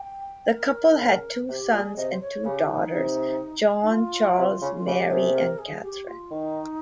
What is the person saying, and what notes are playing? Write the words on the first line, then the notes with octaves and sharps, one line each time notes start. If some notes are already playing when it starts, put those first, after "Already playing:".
The couple had two sons and two daughters; John, Charles, Mary and Catherine.
Already playing: G5
A#4
C#3
C3 G4
A#2 G#4
C3 D#5
C5
C#5
C#3 G4
D#4
C3
D#4
F4
C3
C#3
F4
C#3 G4
C3 G#4
A#4
G#4
G4
F4
D#3 D#4